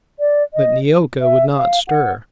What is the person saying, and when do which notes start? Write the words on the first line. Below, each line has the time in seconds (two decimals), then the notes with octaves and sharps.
But Neeoka would not stir.
0.19 D5
0.54 D#5
1.21 E5
1.56 F5
1.88 F#5